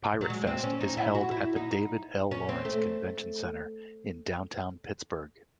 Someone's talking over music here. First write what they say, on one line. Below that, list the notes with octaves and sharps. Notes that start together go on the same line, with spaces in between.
Piratefest is held at the David L. Lawrence Convention Center in downtown Pittsburgh.
F#3
G#3
C4
C#4
D#4
E4
F#4
E4
D#4
C#4
C4
A3